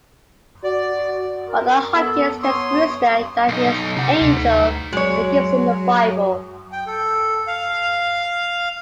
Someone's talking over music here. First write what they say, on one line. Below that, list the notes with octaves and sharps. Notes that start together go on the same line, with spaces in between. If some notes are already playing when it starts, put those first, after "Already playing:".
Mother Hopkins tells Rooster that he is an angel and gives him a bible.
F#4 D5
A#4
B3 A4
C#5 C6 D#6
B1 D#4
C3 D#4 F#5
D2
F#3 G#3 C#5
G5
A4
F5